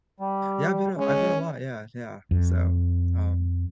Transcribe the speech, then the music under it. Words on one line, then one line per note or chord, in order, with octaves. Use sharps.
Yeah, I've been a I've been a lot Yeah, yeah, so, um
G3
G#3 C#4
F2